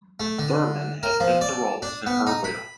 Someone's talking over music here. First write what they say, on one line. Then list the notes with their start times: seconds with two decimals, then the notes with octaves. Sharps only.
Thurman has bent the role to her will.
0.20 A3
0.39 D3
1.03 A#4
1.20 F3
1.41 D5
1.82 D4
2.07 B3
2.27 D#4
2.44 B5